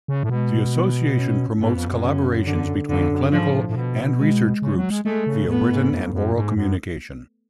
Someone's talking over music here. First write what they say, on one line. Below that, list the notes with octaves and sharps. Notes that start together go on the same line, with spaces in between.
The Association promotes collaborations between clinical and research groups via written and oral communication.
C#3
A2
B2 G#3
B3
C#4
G#2 B3
F2
F#2
C#3
D3
F2 D3
F#2
G#2 F3
A2
A2
B2
G#3
C#3
F#3
G#3
G#3 A3
C#3
A2 B3
G#2
F2
F#2
G#2
F#2